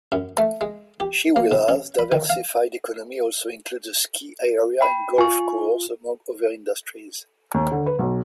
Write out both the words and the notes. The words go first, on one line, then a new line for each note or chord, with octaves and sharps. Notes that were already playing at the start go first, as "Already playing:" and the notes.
Chewelah's diversified economy also includes a ski area and golf course, among other industries.
F#2
A3
G#3
G4
A#3
B2
C#4
B5
D#3
F5
G5 B5
F4 G#5 C#6
D#2
D3
B4
B1